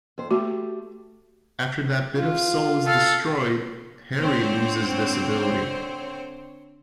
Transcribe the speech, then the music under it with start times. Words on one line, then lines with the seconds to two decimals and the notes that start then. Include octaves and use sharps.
After that bit of soul is destroyed, Harry loses this ability.
0.18 F2 C5
0.31 A3 F#4 G4 A5
2.17 F4
2.86 A4 F5
4.18 D3 C4 C5 C#5